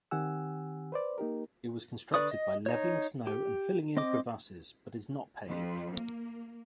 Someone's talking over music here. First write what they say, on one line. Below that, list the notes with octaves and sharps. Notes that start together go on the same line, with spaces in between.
It was constructed by leveling snow and filling in crevasses, but is not paved.
D#3 C4 G4 F#5 G#5 E6
B4 C5 D5
A#3 D#4 G4 A#4
D3 B4 D5 C#6 D#6
D#5
D#4 C#5
G4
C4 D#5 D6
F2
A#3